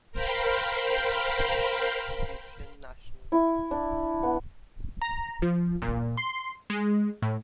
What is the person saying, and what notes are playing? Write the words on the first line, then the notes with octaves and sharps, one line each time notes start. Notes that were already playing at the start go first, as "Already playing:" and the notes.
She is a French and Egyptian national.
A#4 C5 F5 G5 B5
E4
D4
B3
A#5
F3
A#2
C6
G#3
A2